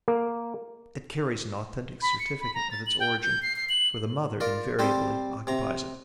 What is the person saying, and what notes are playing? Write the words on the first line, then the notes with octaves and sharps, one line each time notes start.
It carries an authentic certificate of its origin, for the mother invariably occupies it.
A#3
B5
C#7
B5
A#5
A6
F#7
G5
G6
C7
C7
F#7
F4 A#4 D5
G3 C4 C5 A5
C3 A#5